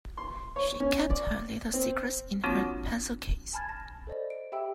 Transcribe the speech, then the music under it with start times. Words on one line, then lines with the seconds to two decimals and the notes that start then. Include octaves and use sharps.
She kept her little secrets in her pencil case.
0.17 C6
0.56 C#5
0.80 C#4
1.10 D5
1.74 C4
2.44 F3 A#3 C4 D4 F4 F#4
3.53 G#5 A5 B5 F6 G#6 A6
3.69 A5 A#6
4.07 A4 C5 D5 D#5
4.30 D7
4.52 G4 E5 G5 B5 E6 D7